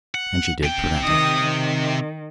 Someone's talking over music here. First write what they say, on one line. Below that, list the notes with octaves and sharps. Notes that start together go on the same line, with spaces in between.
And she did prevent it.
F#5
C3 G5
D#3 D#6 A#6
D#3